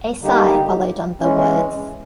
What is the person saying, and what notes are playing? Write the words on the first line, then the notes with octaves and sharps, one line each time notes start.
A sigh followed on the words.
D3 G3 A#3 D#4 G4
E3 G#3 C#4